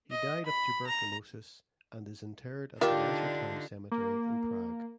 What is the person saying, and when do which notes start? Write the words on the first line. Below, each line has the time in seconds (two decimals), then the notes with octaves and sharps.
He died of tuberculosis and is interred at the Lesser Town Cemetery in Prague.
0.10 D#5
0.46 B5
0.87 A#5
2.81 D3 D4 D#4 F4 G4 A#4 D5 E5
3.92 A#3